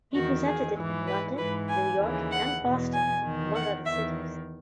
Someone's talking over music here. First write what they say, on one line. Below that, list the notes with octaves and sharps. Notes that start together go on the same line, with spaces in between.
He presented it in London, New York, and Boston, among other cities.
E2 D#3 F#4
G#4
G#2 E3
B4
G#2 E3 B4
G#5
D#2 C#3 E3
F#5
E2 B2
G#5
E2 D#3
F#5
E2 D#3 E5